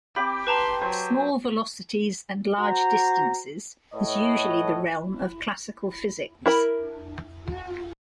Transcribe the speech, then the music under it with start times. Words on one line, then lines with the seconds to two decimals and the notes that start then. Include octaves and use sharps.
Small velocities and large distances is usually the realm of classical physics.
0.16 C4 G4 G5 B5 D6
0.47 B4 A5 A#5 C6
0.81 F#3 C5
2.60 F#4 C5 A#5
3.94 A2 A4 B4 C#5 D#5
6.46 E4 A#4 B5